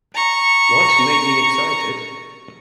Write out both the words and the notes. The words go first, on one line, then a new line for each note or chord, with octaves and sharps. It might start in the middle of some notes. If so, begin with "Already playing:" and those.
What made me excited?
A#5 C#6